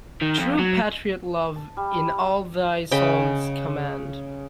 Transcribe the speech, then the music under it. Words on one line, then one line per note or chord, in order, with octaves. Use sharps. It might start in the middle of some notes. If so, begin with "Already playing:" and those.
True patriot love in all thy sons command.
D#3
F2
F#3
A5
G3
C#3 D#5 G5 B5